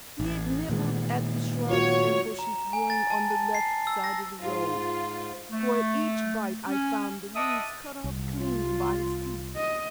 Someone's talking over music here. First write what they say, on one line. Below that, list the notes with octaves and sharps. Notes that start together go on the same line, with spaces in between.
He had nibbled at the shrubs and bushes growing on the left side of the road, for at each bite I found the leaves cut off clean by his teeth.
A1
A#2 D#3 G#3
F4 F#4 C#5
A#5
G#5
A6
A5
A5
C7
E6
A#6
G#2 F4
A3
C#4
D#5 E5 F#5 A5 D6 D#6
C2
F4
D#5